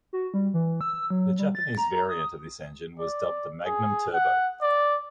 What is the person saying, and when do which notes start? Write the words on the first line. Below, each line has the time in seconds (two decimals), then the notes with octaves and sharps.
The Japanese variant of this engine was dubbed the "Magnum Turbo".
0.13 F#4
0.34 G3
0.54 E3
0.81 E6
1.10 F#3
1.39 G3
1.55 A6
1.77 A#5
2.09 D#6
2.99 D5
3.66 G#4
4.14 F#5
4.62 D5